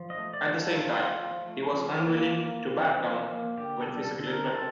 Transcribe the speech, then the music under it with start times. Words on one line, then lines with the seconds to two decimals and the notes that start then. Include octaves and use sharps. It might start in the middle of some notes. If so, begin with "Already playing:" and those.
At the same time, he was unwilling to "back down" when physically threatened.
Already playing: F3
0.10 D#5
0.18 A3
0.33 D5
0.49 F3
0.57 A4
0.80 C4 F4
1.10 F3
1.42 A3
1.72 F3
2.03 A#3
2.34 A#3
2.65 F3
2.96 F3
3.27 A#3
3.57 D3 G4
3.81 A4
3.88 G3
4.04 A4
4.19 D3
4.27 A#4
4.50 C4 A4